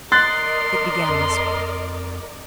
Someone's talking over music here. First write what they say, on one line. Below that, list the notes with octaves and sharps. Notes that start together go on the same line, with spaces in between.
It began this way.
A#4 D5 D#5 C6 F#6 A6
F2